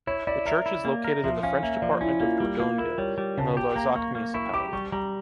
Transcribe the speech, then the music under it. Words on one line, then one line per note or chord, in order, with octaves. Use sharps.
The church is located in the french department of Dordogne, in the Larzac municipality.
E4 C#5
E4 D5
A#4 E5
E4
A#3
A#4
F3 E5
C#4 F5
A#3 E5
F3 D5
C#4 E4
A#3 F4
G3
A#3 F4
E4 A#4
G3 C#5
G3
C#3 A5
A5
G4 G5
A#3 A#5
A#3 C#6
A#3
E4 C#6
G4 D6
G3 C#6
G3 A#5